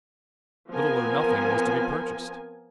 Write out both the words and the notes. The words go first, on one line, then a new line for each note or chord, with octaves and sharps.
Little or nothing was to be purchased.
F3 B3 C4 A#4 G#5